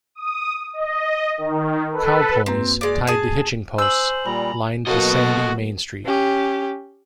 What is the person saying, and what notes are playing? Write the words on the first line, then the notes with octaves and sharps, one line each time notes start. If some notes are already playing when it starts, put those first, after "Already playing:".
Cow ponies, tied to hitching posts, lined the sandy Main Street.
D#6
D#5
D#3
A4 B4
F#2 A#3 C4 B4
G#3 D5
G#4 A5
C5 G#5 E6 F#7
A#2 G3 A#5 B5
B2 F#3 A#3 F#4 A4 D#5
C#4 G4